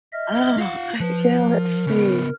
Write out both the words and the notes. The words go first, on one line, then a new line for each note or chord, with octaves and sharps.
Oh, I yeah, let's see.
D#5 E5 F6
F4 F5 F#5
F3 B4
A#4
C#3 B3